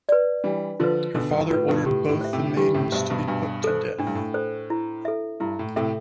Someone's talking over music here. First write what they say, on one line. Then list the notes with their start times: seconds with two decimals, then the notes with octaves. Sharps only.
Her father ordered both the maidens to be put to death.
0.09 B4 D5
0.44 E3 G3 D4
0.80 D3 F3 F4 B4
1.15 B2 D3 D4
1.32 G2
1.50 A2 F4 B4
1.68 G2 B2
1.86 A2 G4
2.09 A2
2.21 C5 E5
2.33 A2 C3
2.56 E3 G3 G4
2.74 A2 C3
2.92 G2 B2 C5 E5
3.10 G2 B2
3.27 G2 B2 D4
3.64 A4 C5
3.98 A2 D4
4.07 G2
4.15 A2
4.34 A4 C5
4.70 E4
5.05 A4 E5
5.40 G2 E4
5.59 A2
5.76 A2 C3 A4 E5